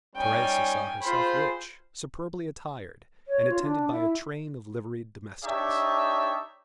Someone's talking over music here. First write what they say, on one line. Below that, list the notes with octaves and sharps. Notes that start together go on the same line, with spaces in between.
Teresa saw herself rich, superbly attired, and attended by a train of liveried domestics.
G3 C#4 D#4 G5 G#5
F4 G#4 C5 B5
C#5
F4
D4
E4
D4 D#4 G4 C#5 D5 E5